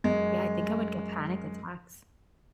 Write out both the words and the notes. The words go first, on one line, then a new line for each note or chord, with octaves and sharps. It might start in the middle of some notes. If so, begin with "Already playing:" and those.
yeah, I think I would get panic attacks.
F#2 G#3